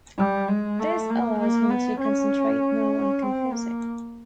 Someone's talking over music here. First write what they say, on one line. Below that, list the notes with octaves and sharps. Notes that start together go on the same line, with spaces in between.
This allowed him to concentrate more on composing.
G3
G#3
A3
A#3
A#3
B3
C#4
C4
A#3